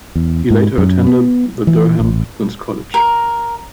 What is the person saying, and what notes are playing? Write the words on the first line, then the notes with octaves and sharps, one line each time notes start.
He later attended the Durham Pitmans College.
E2
G#2
F#2
B3
E3
A1
A#4